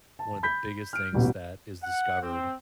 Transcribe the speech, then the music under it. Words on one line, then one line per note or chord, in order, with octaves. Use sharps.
one of the biggest things that is discovered
A5
B5 G6 B6
F6 D7
D#1 A1 B2
F#5
C4